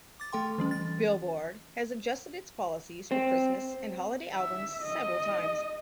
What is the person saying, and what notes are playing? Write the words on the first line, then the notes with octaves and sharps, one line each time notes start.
"Billboard" has adjusted its policies for Christmas and holiday albums several times.
D6 A6
A3 A4 G5 C6
E3 G3 C#4
A6
C4
E5
D#5